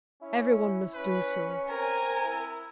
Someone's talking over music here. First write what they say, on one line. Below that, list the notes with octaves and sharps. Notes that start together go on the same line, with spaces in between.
Every one must do so.
C#4 E4
C#4 B4
C4 A#4 G#5
E4